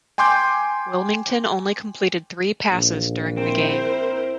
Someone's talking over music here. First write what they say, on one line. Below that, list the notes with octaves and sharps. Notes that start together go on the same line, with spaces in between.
Wilmington only completed three passes during the game.
G5 G#5 C6 D6 G6
A#1
C4 E4 A#4 C5